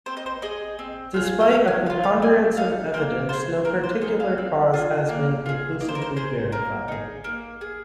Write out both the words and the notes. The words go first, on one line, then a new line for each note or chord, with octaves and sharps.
Despite a preponderance of evidence, no particular cause has been conclusively verified.
C4 C5
D#5
C5
G#4 D#5
C4
F4 G#4
D#5
A#3 F5
G#5
G#4 F5
F4
F5
C4 G#5
D#4 G#4 F5
A#3 C5
F4 G#4 C5
A#3 A#4
C5
D#4 G#4 C5
F5
C4
F4 G#4
A#3
F4 G#4
A#3 D#5
C5
A#4
C5
G#4 C5
A#3 A#4
D#4 G#4
A#3
G#4